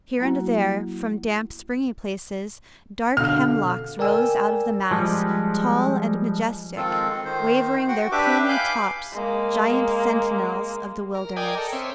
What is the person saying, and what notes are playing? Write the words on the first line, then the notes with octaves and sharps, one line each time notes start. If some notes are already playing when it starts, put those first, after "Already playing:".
Here and there, from damp, springy places, dark hemlocks rose out of the mass, tall and majestic, waving their plumy tops, giant sentinels of the wilderness.
F#3 A#3 E4 F#4
B2 D3 F5 F6
A#4 D5 G5 G#5 E6
F3 G3 G#3
D#3 G#3 C4 F4 A4
D#3 C5
F#4 F#5 G5
D4 G4 B4 E5 D6
F5 G#5 B5 D6 G6
G#3 A#3
A#4
A#4 D5 D#5 G5 G#5
A4 A#4
C4 C#4 E5